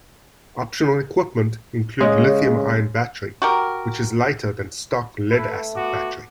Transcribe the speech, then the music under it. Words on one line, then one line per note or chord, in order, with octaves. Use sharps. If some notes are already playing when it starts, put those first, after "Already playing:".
Optional equipment include lithium-ion battery, which is lighter than stock lead-acid battery.
C#3 G#3 C#5 D#5
F#4 G4 A#4
A3 E4 B4
B3 F#4 D6